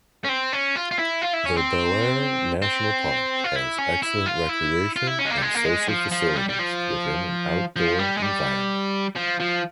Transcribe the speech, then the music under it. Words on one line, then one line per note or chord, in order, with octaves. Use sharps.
The Belair National Park has excellent recreation and social facilities within an outdoor environment.
C#4
C4
C#4
F4
F4
E4
F4
E4
C#4
C4
C4
F4
E4
C#4
E4
F4
E4
F4
E4
C#4
G#3
A#3
G3
G#3
A#3
G#3
F3
F3
G3
G3
F3
F3
G3
G#3
G3
F3
F3